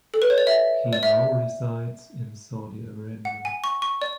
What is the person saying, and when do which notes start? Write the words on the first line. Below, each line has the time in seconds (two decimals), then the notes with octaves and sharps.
He now resides in Saudi Arabia.
0.14 A4
0.22 B4
0.30 C#5
0.38 D5
0.47 E5
0.93 D5
1.03 E5
3.25 F#5
3.45 G#5
3.64 C#6
3.82 C#6
4.02 D5